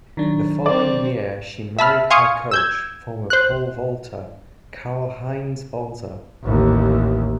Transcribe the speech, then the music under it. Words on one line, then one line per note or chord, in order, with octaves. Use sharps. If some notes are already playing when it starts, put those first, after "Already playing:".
The following year, she married her coach, former pole vaulter, Karl-Heinz Balzer.
D#3 F#3 D4
C4 D5
E5 A5 B5 F6
F5 G#5 C6 C#6 D#6
E6 G6 G#6
C5 F#6
A1 D#2